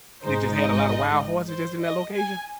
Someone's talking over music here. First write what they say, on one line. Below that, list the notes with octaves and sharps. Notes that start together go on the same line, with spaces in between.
What they just had a lot of wild horses, just in that location?
G#1 G#2 G#3 D#4 C5
D#5
C5
D#5
G#5